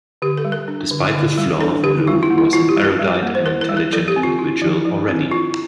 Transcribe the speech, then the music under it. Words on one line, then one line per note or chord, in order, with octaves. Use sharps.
Despite this flaw, Lou was an erudite and intelligent individual already.
D3 G4
A4
G3
A#4
D4
D3
D3
G3
D4 A4
D3 G4
G3 F4
E4
A#3
E4
E4 F4
G4
G3
A#4
G3
A#3
C5
E4 A#4
A#4
G3
A#4
F3 A4
G4
C4
F4
E4
F3
F3
C4
E4 F4